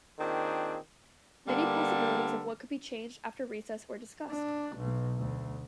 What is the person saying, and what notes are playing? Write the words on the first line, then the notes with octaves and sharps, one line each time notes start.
Many possibilities of what could be changed after recess were discussed.
A#2 D#3 C4 D4 G#4
D3 G3 A#3 B3 A4
D4
B1
D2